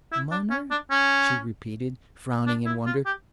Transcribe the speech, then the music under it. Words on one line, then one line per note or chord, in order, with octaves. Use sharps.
"Munner?" she repeated, frowning in wonder.
E4
D4
C#4
D4
C#4
D4
E4
F4
G4